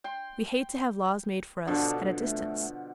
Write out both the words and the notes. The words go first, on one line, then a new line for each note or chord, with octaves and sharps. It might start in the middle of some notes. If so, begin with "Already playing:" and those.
We hate to have laws made for us at a distance.
G5 C6
B2 D3 F3 D4
A3